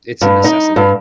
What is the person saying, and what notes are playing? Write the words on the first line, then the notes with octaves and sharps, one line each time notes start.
it's a necessity.
G2
D#4
G2